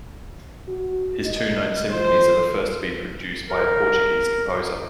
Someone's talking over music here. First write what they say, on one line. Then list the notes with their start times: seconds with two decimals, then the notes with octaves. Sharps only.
His two known symphonies are the first to be produced by a Portuguese composer.
0.67 F#4
1.24 D#5
1.91 E3 F4 C5
3.50 A#4